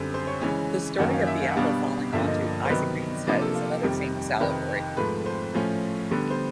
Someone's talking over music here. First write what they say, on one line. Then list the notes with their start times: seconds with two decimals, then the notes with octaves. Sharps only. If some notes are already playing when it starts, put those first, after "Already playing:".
The story of the apple falling onto Isaac Newton's head is another famous allegory.
Already playing: F#2 D3 G3 C4
0.14 C5
0.27 C#5
0.41 C#3 E3 G#3 C#4
0.98 F#2 D#3 F#3 A#3 C#4 F#5
1.14 F5
1.27 E5
1.42 F5
1.51 F#5
1.56 B2 G3 B3 D4 F5
2.13 G2 D3 F3 A#3 E5
2.26 D#5
2.65 C5
2.69 C3 D#3 F#3 B3 B4
3.27 C3 F3 A#3 D4 B4
3.41 A4
3.54 F4
3.83 F2 C3 D#3 G3
4.40 F2 C3 D#3 B4
4.97 G#2 F3 A3 B4
5.26 C5
5.54 A2 F3 A3 C#4
6.11 D3 G3 B3
6.30 C5